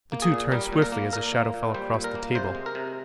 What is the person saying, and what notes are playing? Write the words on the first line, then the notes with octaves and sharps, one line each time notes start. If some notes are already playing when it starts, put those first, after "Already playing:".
The two turned swiftly as a shadow fell across the table.
A#3
G#4
A#2
G3 A#4
A#2
A#4
A#3
A#2 A#4
A#3
A#2
G3 C5
A#2
A#4
A#3
C3 C5
G#3
A#4
C3